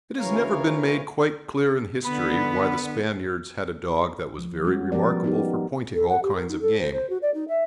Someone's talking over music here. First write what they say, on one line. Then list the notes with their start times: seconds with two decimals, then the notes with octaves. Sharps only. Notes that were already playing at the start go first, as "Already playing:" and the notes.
It has never been made quite clear in history why the Spaniards had a dog that was very remarkable for pointing all kinds of game.
0.19 D2 C#3 E3 A#4 C#5 F5
2.04 D3 B3 B5
4.38 F3
4.64 G3 G#3 C#4 F#4
4.92 F3 B3 G4 A#4 D5
5.24 B3 D#4 G4
5.94 A4
6.08 F#5
6.22 G4
6.35 A#4
6.48 D#4
6.61 A4
6.78 C5
6.92 C5
7.09 F#4
7.22 D5
7.33 D#4
7.48 E5